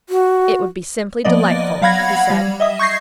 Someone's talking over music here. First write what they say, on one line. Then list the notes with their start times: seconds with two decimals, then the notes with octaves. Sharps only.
"It would be simply delightful," he said.
0.09 F#4
1.25 F3 A#3 B3 D5 D#5
1.82 F#3 F5 F#5 B5 G#6 A#6
2.30 G3
2.60 D#5 E5 D#6
2.79 C#6 G6 G#6 A#6 C7